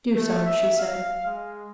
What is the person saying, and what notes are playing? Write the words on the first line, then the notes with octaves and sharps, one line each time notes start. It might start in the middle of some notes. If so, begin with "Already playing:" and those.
"Do so," she said.
A3
E5
F5
G#3